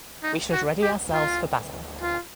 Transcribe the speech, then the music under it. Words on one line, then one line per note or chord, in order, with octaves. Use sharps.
We should ready ourselves for battle.
D#4
F#4
G4
F4
F4